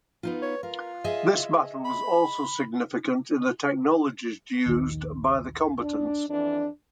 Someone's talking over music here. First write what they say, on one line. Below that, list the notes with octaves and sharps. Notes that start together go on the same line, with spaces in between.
This battle was also significant in the technologies used by the combatants.
B3 D#4 F4
C#5
F4 A#4
G#4 D#5 E5
B5
A#1 D#2 D#3
D4
F2 E3 D4